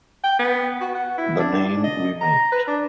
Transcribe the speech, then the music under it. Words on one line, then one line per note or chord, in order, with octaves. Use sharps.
The name remained.
G5
B3
F#4
F#5
E4
D4
D4
D#5
A#5
B4
D4